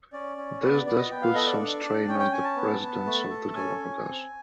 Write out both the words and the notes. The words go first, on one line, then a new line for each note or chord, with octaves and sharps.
This does put some strain on the residents of the Galapagos.
C#4 D5
C#4
B3 D5
D5
B3 D5
D#5
B3 G5
F5
A4 D#5
D5
D4
D4
C#4 G5
G5
C#4 G#5
A5
B3
B3
A3
A4
C#4 G#5
C#4
C4